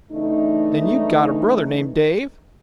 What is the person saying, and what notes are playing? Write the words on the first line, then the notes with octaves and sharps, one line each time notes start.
"Then you've got a brother named Dave?"
C#3 E3 A3 D4 D#4